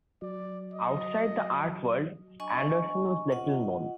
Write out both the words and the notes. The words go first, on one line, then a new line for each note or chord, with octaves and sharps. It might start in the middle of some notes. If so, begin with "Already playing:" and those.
Outside the art world, Anderson was little known.
F#3 D5
D#5
D4 D#5 G#5 C#6
F4 D#5 F#5